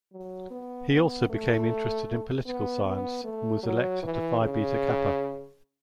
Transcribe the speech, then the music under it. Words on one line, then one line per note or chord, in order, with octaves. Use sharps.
He also became interested in political science, and was elected to Phi Beta Kappa.
F#3
B3
B3
A3
B3
B3
A3
F#3
E3
C#3